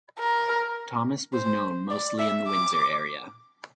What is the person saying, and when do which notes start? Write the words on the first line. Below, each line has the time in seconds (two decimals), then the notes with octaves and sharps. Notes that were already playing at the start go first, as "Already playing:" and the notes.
Thomas was known mostly in the Windsor area.
0.19 A#4
1.33 C5
1.91 D5
2.19 E5
2.47 D6